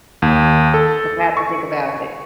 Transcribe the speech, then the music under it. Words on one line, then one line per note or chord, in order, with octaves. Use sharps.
I've to think about it.
D#2
A4
C#6